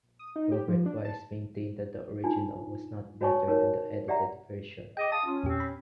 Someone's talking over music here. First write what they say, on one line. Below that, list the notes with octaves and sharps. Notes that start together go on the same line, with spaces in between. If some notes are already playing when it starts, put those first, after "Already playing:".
Robert Wise maintained that the original was not better than the edited version.
D#6
D#4
G4
F3
D4
A5
D4 D#4 F4 G#5
F#4 C#5 D5 G#5 A5 C#6
C#4 D#4 A#4 B4 C#5
G4 D5 E5 F#5 A#5
G#4 D#5 G5 D6
F5 A5 D#6
C#4 F4
E2 A#2 C4 G4
B5